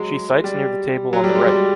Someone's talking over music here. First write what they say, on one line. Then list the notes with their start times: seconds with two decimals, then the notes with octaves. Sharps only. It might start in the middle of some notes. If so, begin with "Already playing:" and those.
She sites near the table on the right.
Already playing: F#3 G#3
0.44 G3
1.13 F#3
1.24 G3
1.35 G#3
1.47 G3